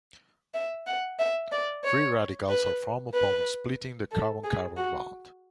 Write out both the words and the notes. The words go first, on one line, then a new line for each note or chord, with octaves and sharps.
Free radicals are formed upon splitting the carbon-carbon bond.
E5
F#5
E5
D5
C#5
B4
B4
A4
G#4
F#4